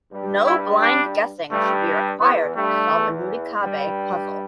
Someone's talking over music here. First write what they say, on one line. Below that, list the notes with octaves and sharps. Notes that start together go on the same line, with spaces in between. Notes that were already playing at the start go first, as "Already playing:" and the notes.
No blind guessing should be required to solve a "Nurikabe" puzzle.
G2 G3
E4
D4
G2 G3 A3
E2 E3 B3
G2 G3 A3
E2 E3
G2 G3